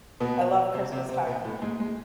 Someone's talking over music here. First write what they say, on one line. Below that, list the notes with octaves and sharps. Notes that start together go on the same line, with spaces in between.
I love Christmas time.
B2 B3
C3 C4
C3 C4
C3 C4
B2 B3
A2 A3
G#2 G#3
G#3